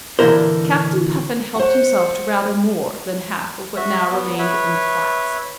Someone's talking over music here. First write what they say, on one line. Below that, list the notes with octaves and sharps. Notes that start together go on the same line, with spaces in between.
Captain Puffin helped himself to rather more than half of what now remained in the flask.
A#2 D3 E3 E4 A#4 C5
C5 F#5
F#4 E5
F#3 B3
B4 C#5 E5